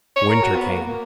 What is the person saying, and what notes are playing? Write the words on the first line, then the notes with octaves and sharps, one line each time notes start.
Winter came!
C#5
A#4
F#4
B3
A#3
A#3